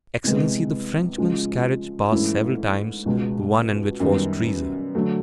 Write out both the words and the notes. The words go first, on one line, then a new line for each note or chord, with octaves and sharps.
"Excellency, the Frenchman's carriage passed several times the one in which was Teresa."
C3 E3 G#3 B3
C#3 F3 G#3
G#2 E3 A3 C#4 E4
C#2 B2 G#3
F#2 D#3 G3 B3
D3 F#3 A3